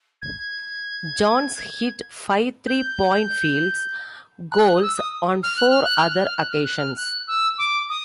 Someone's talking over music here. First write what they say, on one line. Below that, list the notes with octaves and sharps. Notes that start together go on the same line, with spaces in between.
Jones hit five three-point field goals on four other occasions.
G#6
G6
F#6
F#6
D#6
E6
D#6
F6
F#6
F6
F#6
F6
F#6
F6
F#6
F6
F#6
F6
F#6
E6
D6
D#6